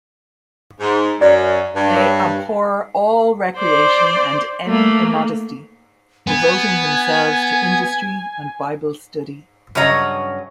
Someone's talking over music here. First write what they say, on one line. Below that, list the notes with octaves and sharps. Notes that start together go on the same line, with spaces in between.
They abhor all recreation and any immodesty, devoting themselves to industry and bible study.
G#2
F#2 D5
G2
G4 A#4 C#5
C5 D5
A3 A#3
B3 G#5
G2 C#3 F#3 C#5 D#5 A#5